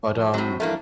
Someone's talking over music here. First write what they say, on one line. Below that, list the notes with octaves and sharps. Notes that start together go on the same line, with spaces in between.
But, um,
F3
A2 F#3 C4
F2 E3 G3 A3 A#3 D4